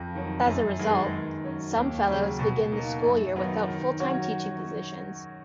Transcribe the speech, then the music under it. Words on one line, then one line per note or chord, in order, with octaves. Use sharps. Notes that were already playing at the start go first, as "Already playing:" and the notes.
As a result, some Fellows begin the school year without full-time teaching positions.
Already playing: F2
D#3 F#3
F#2
D#3 G#3 B3
D#3
F#3 C#4
D#2
C#3 F#3 C#4
B2
A#3 D#4
F#2
D#3 F#3 B3 D#4
D#3
F#3 C#4 F#4 C#5